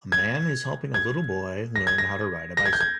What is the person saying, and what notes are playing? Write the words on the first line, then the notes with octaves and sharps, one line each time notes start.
A man is helping a little boy learn how to ride a bicycle.
G#6
G#6
A#6
G#6
A#6
A#6
G#6
G6
G#6